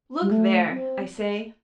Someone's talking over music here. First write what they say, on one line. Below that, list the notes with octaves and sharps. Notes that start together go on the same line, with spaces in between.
"Look there!" I say.
G3
A3
C4